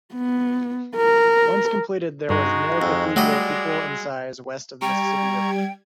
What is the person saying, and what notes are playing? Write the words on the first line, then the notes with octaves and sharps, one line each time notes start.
Once completed, there was no cathedral equal in size west of the Mississippi River.
B3
A#4
G2 G#3 D#4 F#4
F2
F#3 G3 A3 D5 D#5
G3 G5 A#5 C#6 G#6